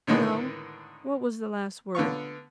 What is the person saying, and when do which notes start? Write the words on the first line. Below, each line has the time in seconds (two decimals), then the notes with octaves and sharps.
No? What was the last word?
0.07 A2 D3 D#3 G#3 B3
1.95 D3 B3 F4 C#6